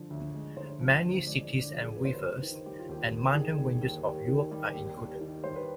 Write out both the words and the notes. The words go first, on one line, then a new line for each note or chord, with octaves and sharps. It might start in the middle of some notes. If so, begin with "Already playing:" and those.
Many cities and rivers, and mountain ranges of Europe are included.
Already playing: D3 F3
D2
G#3
D3 C5
F3
D2
G#3 D5
D5
D3
D5
F3
G#4
D#2 B4
C5
B4
D#2
D#3
G3 G4
F4
D#2 G4
D#2
D#3 G#4
G3
D#2
D#2
D#3
G3
D#2
D#2
D#3
G3 C5
B4